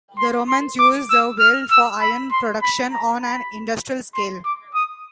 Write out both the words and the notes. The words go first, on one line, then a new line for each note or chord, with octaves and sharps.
The Romans used the Weald for iron production on an industrial scale.
C6
C6
D6
E6
F6
E6
B5
C6
B5
A#5
B5
C6
D6
D#6